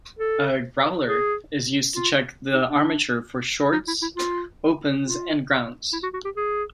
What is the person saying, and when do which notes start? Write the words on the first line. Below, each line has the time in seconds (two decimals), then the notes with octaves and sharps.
A growler is used to check the armature for shorts, opens and grounds.
0.19 A4
1.08 G#4
1.95 F4
2.54 D#4
2.69 D4
3.72 D#4
3.87 E4
4.02 E4
4.16 F4
5.04 F4
5.93 E4
6.03 F#4
6.14 F#4
6.25 G4
6.37 G#4